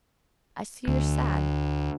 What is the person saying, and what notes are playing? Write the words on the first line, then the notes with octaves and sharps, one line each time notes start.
I see you're sad....
D2